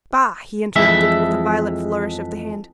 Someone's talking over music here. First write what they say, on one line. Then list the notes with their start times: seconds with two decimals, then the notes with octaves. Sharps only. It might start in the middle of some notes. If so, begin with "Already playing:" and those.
"Bah!" he interrupted, with a violent flourish of the hand.
0.76 F2 E3 G#3 E5